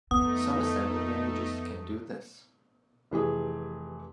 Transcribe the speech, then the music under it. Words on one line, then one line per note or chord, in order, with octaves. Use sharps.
Some Assembly languages can do this.
F2 A3 B3 D#4 D#6
F1 E3 G4 G#4